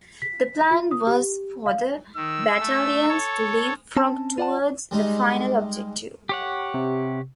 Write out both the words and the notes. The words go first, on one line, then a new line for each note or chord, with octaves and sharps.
The plan was for the battalions to leap-frog towards the final objective.
B6
F4
D#6
G4
F5
D#3 E6
A3
A4 C#5
C4 C#4 A5
F4 D5 F#5 A5
G3 G#3 D#4
G4 C#5 F#5
C3